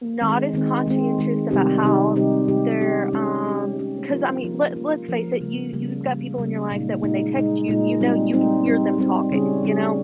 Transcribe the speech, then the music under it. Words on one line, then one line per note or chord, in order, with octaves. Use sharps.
Not as conscientious about how they're, um 'cause I mean, let let's face it, you you've got people in your life that when they text you, you know you can hear them talking, you know?
D#3 G#3 C4
D#3 G#3 C4
D#3 G#3 C4
D#3 G#3 C4
C3 G3 C4 D#4 G4
C3 G3 C4 D#4 G4
C3 G3 C4 D#4 G4
C3 G3 C4 D#4 G4
G#3 C#4 G4
G#3 C#4 G4
G#3 C#4 G4
G#3 C#4 G4
F3 A#3 F4 A#4
F3 A#3 F4 A#4
F3 A#3 F4 A#4
F3 A#3 F4 A#4
C#3 G3 A#3
C#3 G3 A#3
C#3 G3 A#3
C#3 G3 A#3
A#2 G#3 D#4
A#2 G#3 D#4
A#2 G#3 D#4
A#2 G#3 D#4
G3 C4 D#4
G3 C4 D#4
G3 C4 D#4
G3 C4 D#4
C#3 G3 C#4 G#4
C#3 G3 C#4 G#4